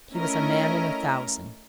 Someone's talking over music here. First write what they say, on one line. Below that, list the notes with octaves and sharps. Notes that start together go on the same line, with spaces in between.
He was a man in a thousand.
A3 C#4 E4 A#4 D#5